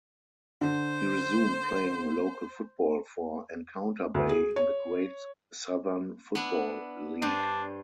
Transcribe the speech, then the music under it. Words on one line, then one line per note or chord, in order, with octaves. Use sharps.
He resumed playing local football for Encounter Bay in the Great Southern Football League.
D3 C5
D2
G#4
C#5
B3 D4 E4
G2 D4 C5